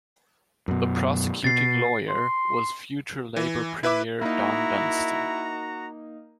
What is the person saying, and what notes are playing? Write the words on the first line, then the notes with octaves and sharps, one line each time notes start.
The prosecuting lawyer was future Labor premier Don Dunstan.
F#2 B2
B2 A6 C7
C6
E3
E4 B4 E5 D6
A#3 D#4 E4 F#4 A#5